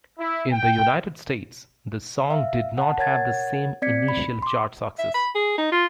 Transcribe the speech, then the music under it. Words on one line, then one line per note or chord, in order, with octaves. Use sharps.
In the United States, the song did not have the same initial chart success.
E4
G5
E5 F5
F#5 A5
A#4 C#5 F#5 G#6 A6
C4 D5 G#6 B6 C#7
B5
C6 D6
E5
B5
G#4
D#4
F4